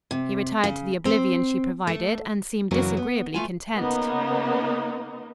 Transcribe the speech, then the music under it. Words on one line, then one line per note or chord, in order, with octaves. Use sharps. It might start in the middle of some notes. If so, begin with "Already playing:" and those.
He retired to the oblivion she provided and seemed disagreeably content.
C3
C#3
C4
A3
F#2 C#3 E3 F#3 A#3 C#4
B3
A3 F4 G#5
C#3 A#3 B3 D#4